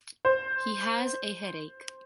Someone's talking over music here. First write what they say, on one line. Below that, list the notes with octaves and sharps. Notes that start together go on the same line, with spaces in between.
He has a headache.
C5